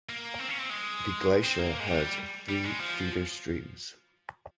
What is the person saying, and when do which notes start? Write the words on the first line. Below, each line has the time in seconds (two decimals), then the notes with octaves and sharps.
The glacier has three feeder streams.
0.09 A#3
0.39 C4
0.49 C#4
0.59 C4
0.70 G#3
1.44 C4
1.59 A#3
1.80 G#3
1.89 G3
2.49 G3
2.64 G#3
2.80 F3